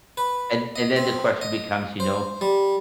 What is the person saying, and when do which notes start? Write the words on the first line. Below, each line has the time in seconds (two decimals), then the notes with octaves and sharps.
and and then the question becomes, you know,
0.17 B4
0.76 D#5
0.96 C4
1.41 D#5
2.00 C5
2.41 G3